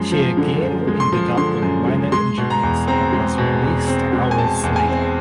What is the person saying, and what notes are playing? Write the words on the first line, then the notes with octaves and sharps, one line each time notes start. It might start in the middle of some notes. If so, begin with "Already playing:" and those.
She again ended up with minor injuries and was released hours later.
Already playing: F#2 F3 G#3
F3
D3
F#2
G#3
C6
F3
D3 C6
F#2
G#3
G#3 C6
B2
A#5
E2
C4 A#5
G#3
B2
E2
C4
G#3
G#5
B2 A5
E2
G#5
C4